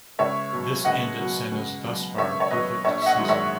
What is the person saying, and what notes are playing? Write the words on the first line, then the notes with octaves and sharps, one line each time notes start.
This ended Senna's thus far perfect season.
C#2 C#5 E5
B2 F#3
C#2 D#5 F#5
B2 F#3
C#2
B2 F#3
C#2 C#5 E5
C#5
B2 F#3 B4 D#5
A#1 C#5 E5
E5
D#5 F#5
G#2 D#3 F#3
C#5 E5